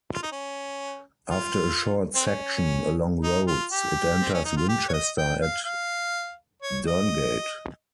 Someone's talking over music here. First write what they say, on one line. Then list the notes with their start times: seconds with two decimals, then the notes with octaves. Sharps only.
After a short section along roads it enters Winchester at Durngate.
0.14 F4
0.23 D#4
0.32 C#4
1.30 F4
2.15 C4
2.26 C#4
3.23 D#4
3.47 F4
3.72 G4
4.22 C4
4.34 C#4
4.45 D#4
4.56 F4
4.68 G4
4.89 C#5
4.93 D#5
5.18 G5
5.42 F5
5.65 F5
6.62 C#5
6.87 D#5